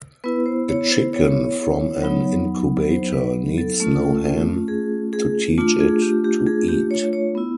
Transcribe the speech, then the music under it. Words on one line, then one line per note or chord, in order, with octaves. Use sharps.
A chicken from an incubator needs no hen to teach it to eat.
B3 E4 B4
C5
C#5
C5
C#5
F#3 B3 D#4
C5
B4
A4
A3 C#4 F4
G#4
G#4
A3 D4 F4
G#4
G4
G4
G#4
G4
C#5
C#5
B3 E4